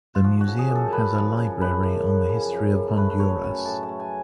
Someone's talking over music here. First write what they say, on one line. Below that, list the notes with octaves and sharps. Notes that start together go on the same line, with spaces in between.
The museum has a library on the history of Honduras.
F4
F3 F#4
F#4
C#3
G#4
F#2
A4
F#2 B4
F3
C#3
F#2 B4
F#2
F3
C#3
F#2
F#2
A4
A3 B4
B4
F#3 C#5
C#4 A5
A2 A5
A5
A3
G#5